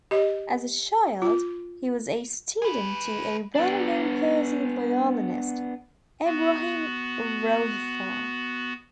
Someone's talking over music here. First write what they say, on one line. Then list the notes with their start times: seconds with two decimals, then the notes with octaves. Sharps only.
As a child, he was a student to a well-known Persian violinist, Ebrahim Rouhifar.
0.11 G4 D#5
1.22 F4
2.62 G#4 B4
3.55 B3 D4
6.25 B3 F#4